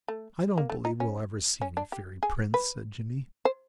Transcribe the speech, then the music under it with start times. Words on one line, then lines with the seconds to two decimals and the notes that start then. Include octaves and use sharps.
"I don't believe we'll ever see any fairy prince," said Jimmie.
0.08 A3
0.58 A#3
0.70 A3
0.85 D#4
1.00 C#4
1.62 C#4
1.77 D4
1.92 G4
2.23 G#4
2.54 B4
3.45 C5